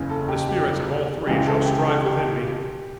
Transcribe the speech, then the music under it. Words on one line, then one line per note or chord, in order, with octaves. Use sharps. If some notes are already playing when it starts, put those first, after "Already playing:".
'The Spirits of all Three shall strive within me.
Already playing: F#1 E2 C#3
A4
G4
G4
C#2 C#3 E3 G4
A4
G4
A4
G4